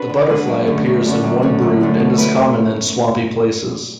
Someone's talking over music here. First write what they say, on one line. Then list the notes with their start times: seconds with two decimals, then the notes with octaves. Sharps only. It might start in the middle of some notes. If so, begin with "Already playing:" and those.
The butterfly appears in one brood and is common in swampy places.
Already playing: D4 F#4 B4
0.09 D3
0.29 G#3 D4 F#4 B4
0.48 F#2
0.67 D3 A3 C#4
0.86 F#2
1.04 D3 A3 C#4
1.23 F#2
1.42 D3 A3 C#4
1.62 F#2
1.80 D3 A3 C#4
1.99 B2
2.18 A3 E4 B4